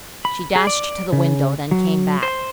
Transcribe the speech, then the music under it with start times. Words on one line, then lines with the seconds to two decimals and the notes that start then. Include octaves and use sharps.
She dashed to the window, then came back.
0.25 B5
0.56 G#4
0.67 D5
1.13 C#3
1.71 F#3
2.23 C5